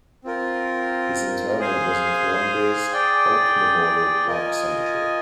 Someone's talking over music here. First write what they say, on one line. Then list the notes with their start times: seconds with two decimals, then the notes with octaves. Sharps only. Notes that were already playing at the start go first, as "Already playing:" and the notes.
His interment was in Columbia's Polk Memorial Park Cemetery.
0.24 C4 F4 A#4
1.59 G#4 C5 F5 G#5
2.93 G#4 D5 G5
4.26 F4 A#4 D#5 G#5